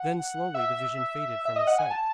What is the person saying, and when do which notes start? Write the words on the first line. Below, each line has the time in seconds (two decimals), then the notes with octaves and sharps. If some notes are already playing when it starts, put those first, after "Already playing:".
Then slowly the vision faded from his sight.
Already playing: F#5
0.54 E5
1.45 E5
1.56 D#5
1.67 F#5
1.79 G#5
1.90 A5